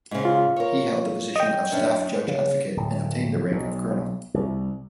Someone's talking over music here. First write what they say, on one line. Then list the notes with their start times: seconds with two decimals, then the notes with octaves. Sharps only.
He held the position of Staff Judge Advocate and obtained the rank of Colonel.
0.11 G#2 C#3
0.25 F4
0.56 A#4 C#5
1.36 D#5 G5
1.72 F#2 C#4 D4
2.28 C#3
2.77 D1
3.51 B1
4.34 C2